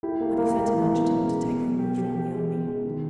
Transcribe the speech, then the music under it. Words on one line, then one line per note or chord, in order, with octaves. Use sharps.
But he sent an adjutant to take the news round the army.
E4 G4
A#3 G4
A#3 G4
G#3 G4
E3 G#3
B2
C#4
G#3
B2
B2
G4
G4
G4
G#3
B2
G#3
D#3